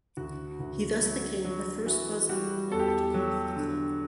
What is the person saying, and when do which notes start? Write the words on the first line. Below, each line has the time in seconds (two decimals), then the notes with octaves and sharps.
He thus became the first Bosnian player to play for the club.
0.17 D2 F#4
0.60 D2
1.01 F#3
1.45 F#3
1.86 E3 F#4
2.29 G3 F#4
2.71 E2 A4
2.79 G4
2.88 A4
3.14 F#3
3.56 D3